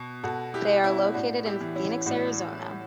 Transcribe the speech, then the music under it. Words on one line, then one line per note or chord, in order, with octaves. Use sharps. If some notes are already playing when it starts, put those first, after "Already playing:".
They are located in Phoenix, Arizona.
Already playing: B2
B2 F#4 A4
E4 G4
C#4 E4
A2 D4 F#4
E4 G4
E3
C#4 E4
A2 D4 F#4